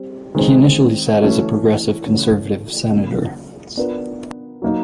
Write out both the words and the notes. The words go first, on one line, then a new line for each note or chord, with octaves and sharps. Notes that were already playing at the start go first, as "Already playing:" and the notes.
He initially sat as a Progressive Conservative Senator.
Already playing: G3 C4
D#3 G#3 C4
E3 A3 C#4 F#4
C#3 E3 A3 C#4
C#3 F#3 A#3
B3 D4 F4 A#4
F#3 A#3 D#4